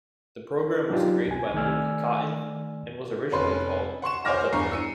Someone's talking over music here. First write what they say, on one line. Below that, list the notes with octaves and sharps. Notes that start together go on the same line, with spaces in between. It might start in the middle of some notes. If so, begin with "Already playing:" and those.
The program was created by Luc Cottyn, and was originally called "autopkg".
F#3 D4 D#4 F4 G4
C2 G#5
D#3 A3 D5 G#5 E6 F6
F1 C#4 B4 C6
F#5 C6 C#6 E7
C5 C#5 G#5 D6 F6 A#6
E2 G2 A#5 C#6 C7
E6 C#7 D#7